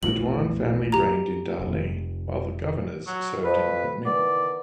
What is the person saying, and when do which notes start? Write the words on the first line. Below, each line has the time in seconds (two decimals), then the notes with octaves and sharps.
The Duan family reigned in Dali while the Governors served in Kunming.
0.03 A#1 E2 A2 F#7
0.92 G4 A#5
1.59 F1
3.07 F#3
3.45 F2 B4
4.06 D#3 E3 B3 D5